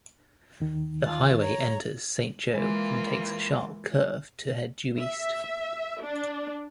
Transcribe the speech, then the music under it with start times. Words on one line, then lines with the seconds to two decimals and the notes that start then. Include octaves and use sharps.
The highway enters Saint Joe and takes a sharp curve to head due east.
0.60 D#2 D#3
1.05 F4 A6
1.40 C#5 A#5
2.55 E3 G#3 A#3 F4
5.01 E5
6.02 D4